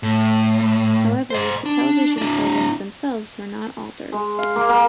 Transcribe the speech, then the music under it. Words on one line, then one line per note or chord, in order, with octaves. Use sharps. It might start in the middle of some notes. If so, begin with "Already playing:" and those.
However, the television programs themselves were not altered.
A2
C5 D#5
D4
D4 E4
G#3
F5
A#3
A#3